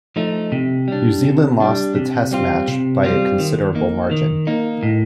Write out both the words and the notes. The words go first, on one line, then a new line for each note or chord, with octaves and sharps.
New Zealand lost the Test match by a considerable margin.
F3 A3 D#4
C3
G3 D4
C3
G3 D4
C3
G3 C4 F4
C3
G3 C4 F4
D#3
A#3 D#4
D#3
A#3 D#4
A2